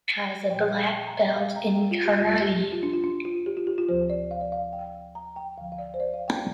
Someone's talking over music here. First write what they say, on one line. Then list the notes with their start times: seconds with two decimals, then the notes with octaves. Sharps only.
He has a black belt in karate.
0.50 A#2 F3 G5
0.71 F5
0.93 G5
1.07 A#5
1.14 G5
1.35 F5
1.46 G5
1.56 A#5
1.67 G5
1.91 F4
2.05 G4
2.19 F2 C3 G3 F4
2.41 G4
2.62 G4
2.72 F4
2.83 D4
2.93 F4
3.04 D4
3.25 F4
3.46 G4
3.57 F4
3.67 G4
3.78 F4
3.89 D2 C3 F3 C5
4.10 D5
4.31 F5
4.41 D5
4.52 F5
4.73 G5
5.15 A#5
5.36 G5
5.57 D2 D3 F3 F5
5.72 F5
5.78 D5
5.94 C5
6.00 D5
6.14 F5
6.28 G5